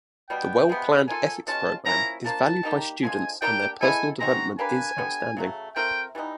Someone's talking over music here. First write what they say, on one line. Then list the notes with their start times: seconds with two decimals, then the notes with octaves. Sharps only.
The well-planned ethics programme is valued by students and their personal development is outstanding.
0.29 B2 G3 B3 G5
0.69 C3 F3 G#3 B3
1.08 A#3 D4 F4 A4 G#5
1.47 B2 G#3 C#4 F4 A5
1.85 F3 A#3 C#4 E4 A#5
2.25 F3 A#3 D4 A5
2.63 G3 A#3 D#4 G4
3.03 D3 F3 G#3 G#5
3.42 G3 A#3 D4 G4 G5
3.81 G#3 B3 E4 A4 G#5
4.20 G#3 C4 D#4 F#4 A#5
4.58 A#3 D4 G4 B4 G#5
4.98 D3 G3 B3
5.37 C#3 F#3 A3
5.76 A3 C4 F4 A#4 G5
6.15 E3 G3 B3 D#4